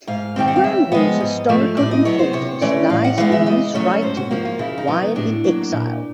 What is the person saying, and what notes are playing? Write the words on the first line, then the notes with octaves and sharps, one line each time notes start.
Bramhall's historical importance lies in his writing while in exile.
G#2 F5
D#3 G3 C4 G5
F#5
F5
C#3 E5
F3 G#3 B3 D#5
G#2
F3 A3
A2 D5
D#5
F#3 B3 C#5
C5
C3 C#5
E3 A3 C#4 D5
A2 F5
F#5
E3 G#3 B3 F5
E5
C#3 D#5
F#3 A3 C#4 C#5
G#2 C5
F#4
F3 A#3 F#4
F4
C#3 E4
D#4
F#3 B3
A2 D4
F#3 A#3
A#2